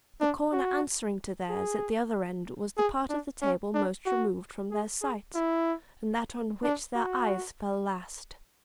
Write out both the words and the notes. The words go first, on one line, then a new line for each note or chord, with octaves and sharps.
The corner answering to theirs at the other end was the part of the table most removed from their sight, and that on which their eyes fell last.
D4
F#4
G#4
G#4
D4
C#4
D4
F#4
G#4
G#4
E4
D4
F#4